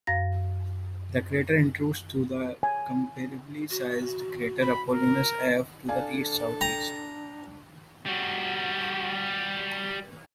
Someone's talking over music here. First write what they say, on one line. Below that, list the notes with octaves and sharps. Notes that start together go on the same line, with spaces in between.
The crater intrudes into the comparably sized crater Apollonius F to the east-southeast.
F#2 F5 A#6
G#5
F#4
F#4 B5
A#4
D4 A4 D5 F5 G#5
G5 A#5
G3 F#4